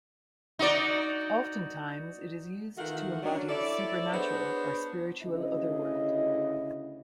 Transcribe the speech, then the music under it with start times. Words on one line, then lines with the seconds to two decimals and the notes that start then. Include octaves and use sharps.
Oftentimes it is used to embody the supernatural or spiritual other world.
0.59 D#4 F#4 D5
2.77 D#3 E3 A3 F4 F#4 F#5
3.22 F#3 C#4 D4
3.49 E4 A4 C#5 D5
4.12 B3 D4 F#4 G#4 C5 C#5
5.23 D2 C#3 E4 D#5